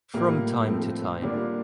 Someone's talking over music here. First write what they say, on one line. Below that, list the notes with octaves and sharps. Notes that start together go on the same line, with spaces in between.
From time to time.
A2 G3 A#3 F4
F3 A3 C4
D3 G3 A#3 D4 F4